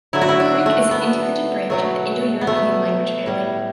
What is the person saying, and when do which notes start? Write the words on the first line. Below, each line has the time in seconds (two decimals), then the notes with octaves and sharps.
Greek is an independent branch of the Indo-European language family.
0.13 D3 F#3 A3 E4
0.21 F#4
0.29 E4
0.40 D4
0.66 A3
0.91 B3
1.70 B2 F#3 A3
2.41 B3
2.47 A3
3.26 A2 G3